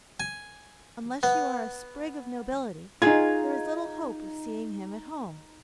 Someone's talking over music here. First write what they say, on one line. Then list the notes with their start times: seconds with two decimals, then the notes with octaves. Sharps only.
Unless you are a sprig of nobility there is little hope of seeing him at home.
0.20 G#5
1.23 B3
3.02 D#4 F4 G#4 G#6